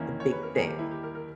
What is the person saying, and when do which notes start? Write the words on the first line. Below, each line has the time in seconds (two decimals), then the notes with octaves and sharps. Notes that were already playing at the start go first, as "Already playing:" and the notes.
a big thing,
Already playing: E2 D#3 A#3 C#4 E4
0.20 C#5
0.32 B4
0.43 A#4
0.55 D#2 D#3 G3 A#3 G#4
0.67 G4
0.79 E4
0.91 G4
1.03 A#4
1.15 A#4